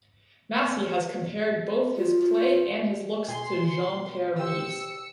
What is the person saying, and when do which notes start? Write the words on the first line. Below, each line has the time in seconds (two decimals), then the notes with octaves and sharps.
Massie has compared both his play and his look to Jean-Pierre Rives.
1.97 F4
3.28 B2 G#4 C6
4.39 G4 C5 E6 C#7